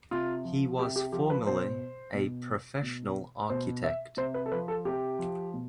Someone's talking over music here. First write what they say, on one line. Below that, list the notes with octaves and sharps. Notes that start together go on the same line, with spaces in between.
He was formerly a professional architect.
C3 F4
F3
C3 G4
G4
F3 G4
B4
B2 C5
B2
B2
B2 C5
E5
C3 C5
B4
A4
F3 B4
A4
C3 G4
F3
B2